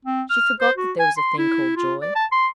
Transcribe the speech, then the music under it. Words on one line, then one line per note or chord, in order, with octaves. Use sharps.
She forgot that there was a thing called joy.
C4
F6
C5
F#4
G#5
C6
E4
F4
D5
A5
C6